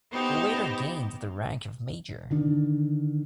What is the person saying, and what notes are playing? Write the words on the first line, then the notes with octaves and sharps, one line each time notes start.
He later gained the rank of Major.
B3 D#4 G4 C5
D3 D#3 D4